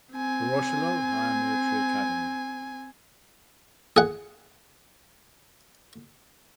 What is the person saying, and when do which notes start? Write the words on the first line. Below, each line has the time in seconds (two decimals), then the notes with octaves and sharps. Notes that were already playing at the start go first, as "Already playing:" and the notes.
Voroshilov Higher Military Academy.
0.12 C4 G#5
3.97 G#4 F#5